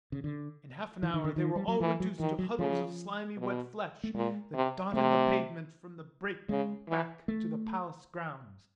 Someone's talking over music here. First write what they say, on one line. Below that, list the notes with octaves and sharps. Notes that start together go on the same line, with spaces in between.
In half an hour they were all reduced to huddles of slimy wet flesh that dotted the pavement from the break back to the palace grounds.
C#3
D3
E3
D#3
D3
D#3
G3
F#3
E3 F3
F#3
D#3 E3
F#3
C#3 F3
B2
A3
A#2 G#3
C3
C3 A3
C#3 G#3
E3
A3